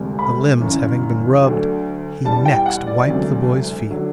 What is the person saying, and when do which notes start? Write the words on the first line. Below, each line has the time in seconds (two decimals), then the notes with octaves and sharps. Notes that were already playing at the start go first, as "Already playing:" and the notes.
The limbs having been rubbed, he next wiped the boy's feet.
Already playing: E1 D2 C3 G3
0.19 B5
0.60 G1 F#2 E3
1.42 D2 D3 F#3
2.25 E2 B2 G3 A5
2.45 G5
2.66 F#5
2.87 D5
3.07 E1 D2 C3 F#3
3.90 D3 F#3